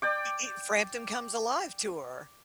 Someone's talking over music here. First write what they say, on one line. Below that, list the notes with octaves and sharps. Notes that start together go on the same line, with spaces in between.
E Frampton Comes Alive tour.
D5 G5 D6